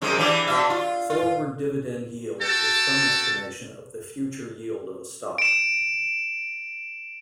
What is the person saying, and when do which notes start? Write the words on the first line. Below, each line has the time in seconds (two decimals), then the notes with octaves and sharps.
Forward dividend yield is some estimation of the future yield of a stock.
0.02 F#2 C3 G#3
0.18 E3 D4 G4
0.47 B2 E5
0.70 F4
1.10 F4
2.42 F#4 A4 G5 A5
5.38 D7 E7